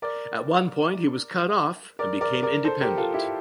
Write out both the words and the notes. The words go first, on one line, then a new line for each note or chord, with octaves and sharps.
At one point he was cut off and became independent.
A#4 D5
A#4 D5
A#4 D5
A#4 D5
A4 C5
G4 A#4
F4 A4
E4 G4